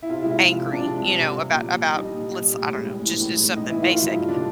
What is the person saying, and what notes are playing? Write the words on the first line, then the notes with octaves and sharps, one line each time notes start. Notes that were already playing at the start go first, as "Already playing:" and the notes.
angry, you know, about about let's, I don't know, just just something basic.
E4
C3 F4
G#3 E4
F4
C3
F3
C3 D4
G#3
C3
F3
G3
A#2
A#2
G3
G3 D#4
A#2
A#2
G3
A2
G#3
A2
E3
A2
G#3
A2
D#4
E3 E4
A3 F4
F#3 E4
G2 D#4
D3 D4